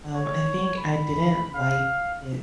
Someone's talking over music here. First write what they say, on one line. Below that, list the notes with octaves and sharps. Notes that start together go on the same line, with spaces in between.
Um, I think I didn't like it
C#5
B5
F5